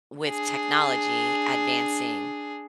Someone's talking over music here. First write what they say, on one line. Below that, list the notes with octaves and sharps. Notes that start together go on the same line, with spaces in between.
with technology advancing,
D4 G#4